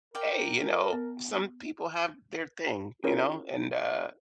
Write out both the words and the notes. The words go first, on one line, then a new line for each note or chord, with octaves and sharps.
Hey, you know, some people have their thing, you know, and, uh,
A#4 D5 F5 G5
B3
C#4 E4 F4 G#4 A#4 C#5